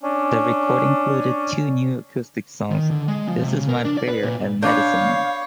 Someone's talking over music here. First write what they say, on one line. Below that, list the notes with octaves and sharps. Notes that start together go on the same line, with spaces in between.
The record included two new acoustic songs, "This Is My Prayer" and "Medicine Man".
C#4 D4
D#3
D3
G#3
F3
C3
C#3
A#4
D4
D5
B4
A#2
D4 C#5 F5 B5 D6 G6